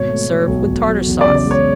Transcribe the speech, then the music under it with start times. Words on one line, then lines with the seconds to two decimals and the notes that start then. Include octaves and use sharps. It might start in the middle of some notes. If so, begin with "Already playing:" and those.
Serve with Tartar Sauce.
Already playing: G#1 B2 C#5
0.09 A3
0.28 A3
0.47 B1
0.67 B1
0.87 F#3
1.07 E2
1.21 D5
1.26 C#3
1.35 D5
1.45 G#3
1.51 C#5